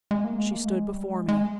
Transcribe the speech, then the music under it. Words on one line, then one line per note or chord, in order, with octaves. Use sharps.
She stood before me.
G#3
A#3
G#3
A#3
G#3
G3
G#3
G#3